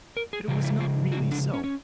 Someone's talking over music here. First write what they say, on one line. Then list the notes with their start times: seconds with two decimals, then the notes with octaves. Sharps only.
But it was not really so.
0.17 A#4
0.33 G#4
0.48 C#3 F3 G#3 G4
0.64 E4
0.80 F4
1.12 F#4
1.32 D4
1.54 C#4
1.64 C#4